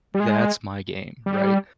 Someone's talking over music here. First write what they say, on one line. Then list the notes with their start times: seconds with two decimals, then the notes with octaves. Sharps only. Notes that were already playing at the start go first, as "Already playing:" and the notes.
that's my game, right?
0.14 G3
0.20 G#3
1.26 G3